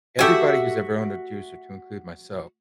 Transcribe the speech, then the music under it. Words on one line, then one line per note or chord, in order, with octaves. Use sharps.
everybody who's ever owned a juicer, to include myself,
A3 F#4 G4 E5 G#5